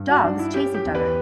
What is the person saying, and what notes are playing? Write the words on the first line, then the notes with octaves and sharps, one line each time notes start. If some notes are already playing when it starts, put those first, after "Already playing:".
Dogs chase each other.
Already playing: G2
F#4
G2 D4
E4
C#4 G4
G4
E2
B4